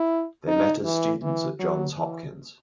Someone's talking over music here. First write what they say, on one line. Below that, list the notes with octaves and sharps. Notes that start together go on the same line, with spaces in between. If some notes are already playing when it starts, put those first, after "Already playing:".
They met as students at Johns Hopkins.
Already playing: E4
D#4
E3
E3
F#3
E3